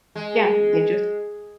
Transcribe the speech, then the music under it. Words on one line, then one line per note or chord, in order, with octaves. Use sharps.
Yeah, they just
G#3